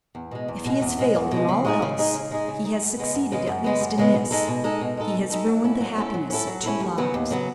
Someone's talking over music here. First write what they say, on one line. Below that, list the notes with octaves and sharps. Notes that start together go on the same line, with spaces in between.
If he has failed in all else, he has succeeded at least in this: he has ruined the happiness of two lives.
E2
B2 G#3
E2
B2 G#3
E2
B2 G#3
E2
B2
G#3
C#3
G#3 D#4 G#4
C#3
G#3 D#4 G#4
C#3
G#3 D#4 G#4
C#3
G#3 D#4 G#4
F#2
C#3 G#3 B3
F#2
C#3 G#3 B3
F#2
C#3 G#3 B3
F#2
C#3 G#3 B3
B2
G#3 D#4 A4
B2
G#3 D#4 A4
B2
G#3 D#4 A4
B2
G#3 D#4 A4
F#3
C#4 E4 A4
F#3
C#4 E4 A4
F#3
C#4 E4 A4
F#3
C#4 E4 A4
D#2
C#3 F#3 B3
D#2
C#3 F#3 B3